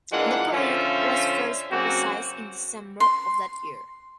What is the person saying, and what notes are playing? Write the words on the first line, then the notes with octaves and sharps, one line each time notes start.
The project was first publicized in December of that year.
A#2 E3 G#3 D4 F4 F#5
D3 F3 C#4 F4 C5 E5
C#3 F#3 A#3 C4 F#4
C6